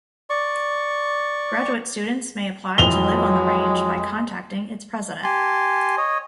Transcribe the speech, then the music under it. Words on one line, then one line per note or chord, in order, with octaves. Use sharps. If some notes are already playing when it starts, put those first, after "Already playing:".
Graduate students may apply to live on the Range by contacting its president.
D5 C#6
F2 E3 F#3 G#3 F7 G7
G4 G#5 A5 C6
C#5 D#5